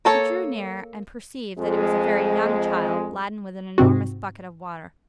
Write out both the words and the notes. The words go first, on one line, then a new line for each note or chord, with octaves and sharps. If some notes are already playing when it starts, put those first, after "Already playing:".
He drew near, and perceived that it was a very young child, laden with an enormous bucket of water.
A#3 A4 C#5
F2 G#3
G#2 C3 C4 F#4